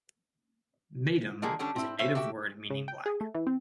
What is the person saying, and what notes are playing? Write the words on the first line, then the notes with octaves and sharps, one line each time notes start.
"Maitum" is a native word meaning black.
D3 F3 G3 G#3 A#3 G#4
D3 G3 C#4 D4
C4 E4
C#3 C5 C#5 E5
F#4 G4 E5 G5
C#3
G5
G#4
A3
E3
C4